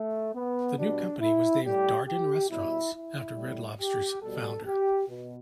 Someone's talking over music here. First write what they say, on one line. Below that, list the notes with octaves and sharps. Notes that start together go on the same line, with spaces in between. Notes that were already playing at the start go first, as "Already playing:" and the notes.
The new company was named Darden Restaurants, after Red Lobster's founder.
Already playing: A3
B3
B2 G3 D4
E4
A2 G3 G4
G4
B2 G3 E4
E4
A2 G3
G4
B2 G3 A4
G4
B2